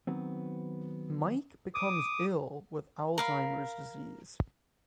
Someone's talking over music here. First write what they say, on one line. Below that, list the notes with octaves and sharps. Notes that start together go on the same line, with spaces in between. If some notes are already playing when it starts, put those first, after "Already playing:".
Mike becomes ill with Alzheimer's disease.
D#3 F#3 B3 C4
D6 D#6
A#4 F5 B5